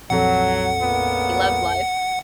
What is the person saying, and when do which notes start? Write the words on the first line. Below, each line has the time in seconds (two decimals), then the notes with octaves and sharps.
he loves life.
0.10 A#1 F2 F#3 A4 F#5
0.80 C#2 A#2 B3